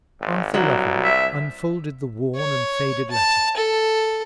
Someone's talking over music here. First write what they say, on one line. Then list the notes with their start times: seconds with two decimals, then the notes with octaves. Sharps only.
Arthur Lovell unfolded the worn and faded letter.
0.20 G#1
0.54 C2 F#3
1.04 E5
2.36 C#5
3.11 A5
3.57 A4